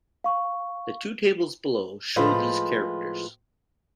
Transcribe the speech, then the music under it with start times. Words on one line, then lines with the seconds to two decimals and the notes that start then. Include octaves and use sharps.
The two tables below show these characters.
0.24 F5 C#6
2.16 A2 F3 G#3 F4 B4